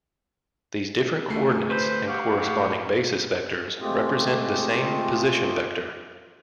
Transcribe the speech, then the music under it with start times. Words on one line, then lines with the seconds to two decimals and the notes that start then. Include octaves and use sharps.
These different coordinates and corresponding basis vectors represent the same position vector.
1.30 D2 A3 C7
1.70 B4 C5
2.07 F#4 G4 F5
2.43 A2
3.80 G#3 A3 C4 F4 G4 D#5